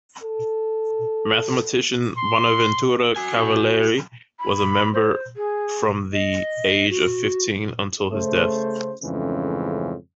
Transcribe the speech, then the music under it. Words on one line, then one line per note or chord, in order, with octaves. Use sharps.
Mathematician Bonaventura Cavalieri was a member from the age of fifteen until his death.
A4
C6
F#4 G#5
B5
C5
G#4
D#5
F#4
C#3 A3 C5
F2 G#2 C#3 E3 A3 C#4